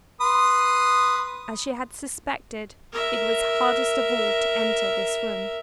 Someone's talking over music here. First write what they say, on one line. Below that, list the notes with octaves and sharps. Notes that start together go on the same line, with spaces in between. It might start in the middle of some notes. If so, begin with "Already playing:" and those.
As she had suspected, it was hardest of all to enter this room.
B4 C6 D#6
A#4 E5